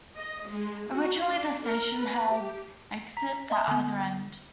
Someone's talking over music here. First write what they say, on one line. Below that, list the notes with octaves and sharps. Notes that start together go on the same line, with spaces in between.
Originally the station had exits at either end.
D#5
G#3
F#4
D4
A#4
B4
G4
A#5 B6
D#5 E5 C6 D#6
D3 B3